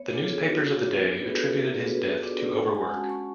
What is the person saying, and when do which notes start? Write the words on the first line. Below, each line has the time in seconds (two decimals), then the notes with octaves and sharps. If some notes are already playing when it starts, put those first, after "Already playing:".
The newspapers of the day attributed his death to overwork.
Already playing: B3 C#5
0.13 D4 F4 A4
0.30 G#4
0.47 B3 F#4
0.82 D4 F4
1.17 B3 B4
1.35 A4
1.52 D4 F4 F#4
1.69 G#4
1.87 B3 B4
2.22 D4 F4 D5
2.39 D5
2.57 G#3 F#5
2.75 G#5
2.92 C#4 F#4 A5
3.10 C#6